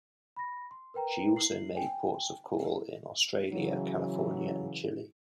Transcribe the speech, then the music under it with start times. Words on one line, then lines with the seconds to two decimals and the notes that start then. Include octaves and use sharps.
She also made ports of call in Australia, California, and Chile.
0.36 B5 A#6
0.71 C6
0.94 A#4 B4 G5 A#5
1.36 E4 C7 F#7
1.75 G5 G#5
2.58 E4
3.53 C#3 E3 F#3